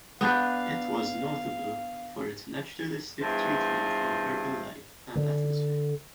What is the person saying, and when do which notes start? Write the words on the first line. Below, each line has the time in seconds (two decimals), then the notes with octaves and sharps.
It was notable for its naturalistic treatment of urban light and atmosphere.
0.21 B3 D4 G4 F5
3.21 E2 G2 F4 C5 E5
5.15 D3